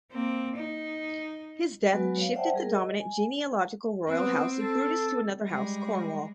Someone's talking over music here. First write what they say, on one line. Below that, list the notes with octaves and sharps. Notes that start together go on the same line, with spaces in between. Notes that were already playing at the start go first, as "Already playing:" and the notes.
His death shifted the dominant genealogical royal house of Brutus to another house, Cornwall.
A#3 C4
D#4
F#3 G#3 B3 F#4 B4
C#5 F5
C5 D5 E5 F#5 G5 A5
G3 G#4 A#4
D#5
G#5
B3 C4
A4
G3 G#3